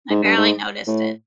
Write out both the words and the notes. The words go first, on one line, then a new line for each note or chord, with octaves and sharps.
I barely noticed it.
G#2
G2
G#2
A2